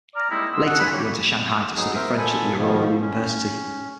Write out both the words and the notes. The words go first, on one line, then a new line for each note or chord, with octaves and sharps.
Later he went to Shanghai to study French at the Aurora University.
D5 A#5 F6
G3 G#3 A#3 C4 D#4 E4
B2 G#3 C6 E6
F#4 G#4 A4 F#5
G#5 B5
A#3 G4 C#5
F#3 B3 D#4 G#4
A#4 C5 E5
A#2 A4 G#5 B5
B2 D#3 F3
C#4